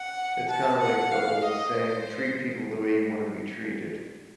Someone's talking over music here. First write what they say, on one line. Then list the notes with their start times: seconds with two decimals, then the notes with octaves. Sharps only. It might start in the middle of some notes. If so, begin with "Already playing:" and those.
It's kinda like the old saying- "Treat people the way you wanna be treated."
Already playing: F#5
0.49 A5
0.80 F#5
1.11 F5
1.44 D#5
1.75 C5